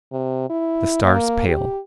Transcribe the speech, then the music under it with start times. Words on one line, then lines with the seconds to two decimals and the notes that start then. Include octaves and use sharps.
The stars pale.
0.12 C3
0.50 E4
1.03 A#3
1.47 G4